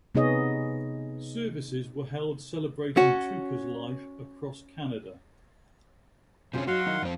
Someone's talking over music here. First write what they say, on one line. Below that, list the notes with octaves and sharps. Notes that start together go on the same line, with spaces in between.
Services were held celebrating Tooker's life across Canada.
C3 B3 D#4 G#4 C#5 D#5
C#4 F#4
C3 C#4 D4 F4 G#4 C5
F#3 D#4 F#4 F5 F#5 C6
D#3 D#4 E4
F2 C4 F4